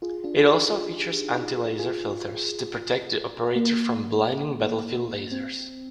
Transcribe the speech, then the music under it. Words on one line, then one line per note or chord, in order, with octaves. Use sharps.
It also features anti-laser filters to protect the operator from blinding battlefield lasers.
F4 G#4
D4 F4
G#4
D#4 G4
F4 G#4
F4 G#4
A#3
C4